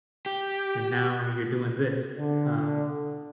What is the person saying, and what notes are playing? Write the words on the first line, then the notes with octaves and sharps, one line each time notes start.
and now you're doing this." Um,
G4
D3